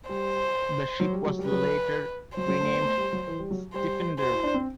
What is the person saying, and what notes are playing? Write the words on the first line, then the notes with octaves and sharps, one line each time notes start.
The ship was later renamed Stifinder.
G3 C5
F#3
G3
F#3
G3
B4
F#3
F#3 C5
F#3
A3
B3
A3
G3
F#3
E3
G3
F#3
G3 C5
F#4 C5
E4
D4
C4